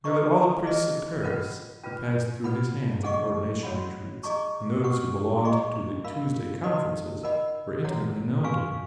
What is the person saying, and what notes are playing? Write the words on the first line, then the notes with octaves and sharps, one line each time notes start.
Nearly all the priests of Paris had passed through his hands at the ordination retreats and those who belonged to the "Tuesday Conferences" were intimately known to him.
B4 D#5 A#5 C#6
G#4 B4 D#5
C#4 F4 B4 F#5
C#4 F4 B4
B4 F#5 B5
G#4 D#5 F#5 C#6
F#4 C#5 F#5 B5
G#4 D#5 A#5 C#6
B4 F#5 C#6
G#4 D#5 A#5 C#6
A#4 F5 B5
D#4 F#4 B4 D#5
A#4 D#5 F#5 B5
F#4 C#5 F#5 A#5
F#4 B4 F5 G#5 C#6